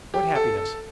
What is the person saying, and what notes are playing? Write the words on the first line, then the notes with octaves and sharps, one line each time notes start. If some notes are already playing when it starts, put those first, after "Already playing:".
What happiness!
G4
A4
A4